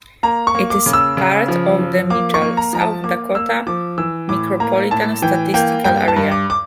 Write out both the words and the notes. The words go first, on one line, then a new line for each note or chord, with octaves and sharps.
It is part of the Mitchell, South Dakota Micropolitan Statistical Area.
A#3 A#5
C#6
A#3
D6
C#3
E6
C#3
F3
F3
A#3 D6
C#6
A#3
A#5
F3 A#5
A5
A#3 D6
A#3 E6
F3 D6
E3 E6
A2 D6
A#3 A#5
A2 A5
E3 G5
A#3 G5
G2 G5
A5
G2
D6
D6